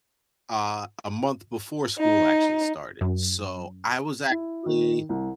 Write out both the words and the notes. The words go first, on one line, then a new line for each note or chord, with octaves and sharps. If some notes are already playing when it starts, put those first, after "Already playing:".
uh, a month before school actually started, so I was actually,
D#4
F#2
E4
D#3
C2